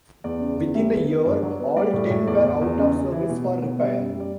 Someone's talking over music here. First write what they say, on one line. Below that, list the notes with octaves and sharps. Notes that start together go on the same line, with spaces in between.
Within a year, all ten were out of service for repair.
E2 D5
C#3
E2
G3 E5
B3
B3
G2 D5
F#3
B3
G3 D5
A2
A2
E2 D5
E2
E2
C#3
C#3
E3
B2
B2
B2
G3 E5
F#2
G3
D5